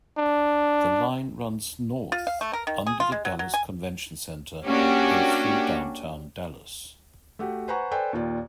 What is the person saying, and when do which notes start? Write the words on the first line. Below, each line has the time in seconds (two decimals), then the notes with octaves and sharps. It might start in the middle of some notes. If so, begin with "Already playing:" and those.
The line runs north, under the Dallas Convention Center and through downtown Dallas.
0.18 D4
2.12 F4
2.27 F5
2.41 A3
2.53 A#4
2.67 D#3
2.87 G#4
3.00 F4
3.12 G#3
3.25 F#3
3.39 F#3
3.54 G#5
4.65 A#3 C#4 D4 F#4 G4
7.39 A3 F#4 G4
7.68 B4 C5 F#5 G#5 A#5 C#6
7.91 A4 B4 C5 D5 G5 G#5
8.13 D#2 A#2 F4 D5